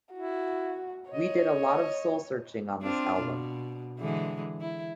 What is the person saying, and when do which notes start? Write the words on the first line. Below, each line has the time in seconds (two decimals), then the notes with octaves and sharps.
We did a lot of soul searching on this album.
0.13 E4 F#4
1.11 C#5 D#5
2.82 C4 D4 F4
3.19 B2
3.99 D3 E3 G#3
4.60 E4